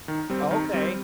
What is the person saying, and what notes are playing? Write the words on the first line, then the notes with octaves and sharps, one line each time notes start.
Oh, okay.
D#3
G3 C4
D#3
G3 C4